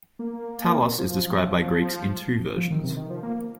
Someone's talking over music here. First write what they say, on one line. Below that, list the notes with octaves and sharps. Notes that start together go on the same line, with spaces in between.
Talos is described by Greeks in two versions.
A#3
F3
F3
D#3
C3
D#3
F3
A#3